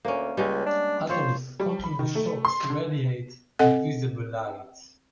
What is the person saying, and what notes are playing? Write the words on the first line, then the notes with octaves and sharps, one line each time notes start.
Atoms caught in the shocks radiate a visible light.
D2 A#3 C#4
C#2 G3 G#3 C#4
D4
F3 C5 C#5
G3
B5
D#3
A3
C6
D3
C4 A4 D#5 F#5